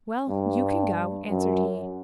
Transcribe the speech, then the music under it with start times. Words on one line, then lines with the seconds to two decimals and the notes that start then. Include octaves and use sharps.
'Well, you can go,' answered he.
0.29 G2
1.30 F#2